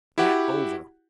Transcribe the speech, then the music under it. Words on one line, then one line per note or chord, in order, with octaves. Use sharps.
That over!
E4 F#4 G4 F#5